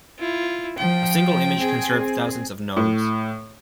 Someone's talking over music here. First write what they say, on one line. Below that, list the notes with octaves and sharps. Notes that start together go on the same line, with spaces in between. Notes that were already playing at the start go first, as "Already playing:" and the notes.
A single image can serve thousands of nodes.
E4 F4
F3 G5
C4 G#4
A2